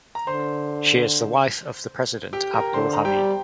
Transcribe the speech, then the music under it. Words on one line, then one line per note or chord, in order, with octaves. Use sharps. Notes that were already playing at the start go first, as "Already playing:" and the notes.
She is the wife of the President Abdul Hamid.
A#5
D3 C5 C6
G4 G5
A#4 A#5
D3 C5 C6
A#5
G3 G4 G5